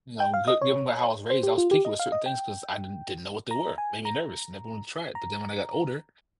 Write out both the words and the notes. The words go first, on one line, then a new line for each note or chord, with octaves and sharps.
you know, g given by how I was raised, I was picky with certain things 'cause I didn't didn't know what they were, made me nervous, never wanted to try it. But then when I got older,
G5
F5
D#5
C#5
C5
G4
F4
G4
D#5
F5
D#5
G5
A#5
G#5
A#5
A#5